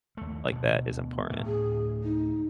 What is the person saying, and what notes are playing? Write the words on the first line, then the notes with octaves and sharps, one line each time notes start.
like that is important.
D#2 A3
D2 B2
D2 A2
G#4
D#4